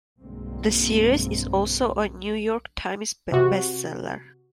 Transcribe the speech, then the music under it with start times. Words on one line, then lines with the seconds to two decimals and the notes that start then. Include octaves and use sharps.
The series is also a "New York Times" bestseller.
0.21 B1 G2 D3 G#3 A#3 C4
3.32 C3 F#4